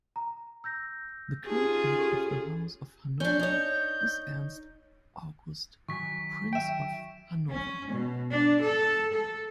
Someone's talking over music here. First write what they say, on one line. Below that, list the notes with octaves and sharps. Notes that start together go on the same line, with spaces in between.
The current head of the House of Hanover is Ernst August, Prince of Hanover.
A#5
E6 G6 A#6
C#4 D#4 F4 G4 G#4
G4 A4
C#4 D4 G6
D#4 C#5
D#3 F#3 G#5 C#6 B6
E5 G5 D7 E7
C#4
B2
D4
A4
A4